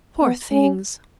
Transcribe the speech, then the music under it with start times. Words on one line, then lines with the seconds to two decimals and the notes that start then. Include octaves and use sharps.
"Poor things!"
0.22 B3
0.52 C#4